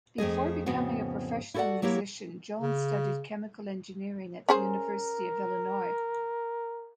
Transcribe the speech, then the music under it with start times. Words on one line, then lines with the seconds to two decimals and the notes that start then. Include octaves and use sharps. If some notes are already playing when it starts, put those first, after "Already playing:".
Before becoming a professional musician, Jones studied chemical engineering at the University of Illinois.
0.18 F2 A3 G#4 D#5
0.66 F2 A2 C#3 B3 C4 F#4
1.54 E4 F#4 A4 C5 D5 F#5
1.82 F#3 A#3 E4 G4 C#5
2.61 C#3
4.49 C#4 G#4 A#4 C5